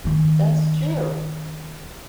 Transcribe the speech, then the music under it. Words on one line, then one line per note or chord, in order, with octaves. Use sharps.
That's true.
D#3 C#4